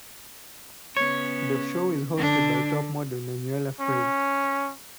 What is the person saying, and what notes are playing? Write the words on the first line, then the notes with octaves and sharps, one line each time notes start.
The show is hosted by Topmodel Manuela Frey.
C#3 B3 C#4 C#5
D3 D4
C#4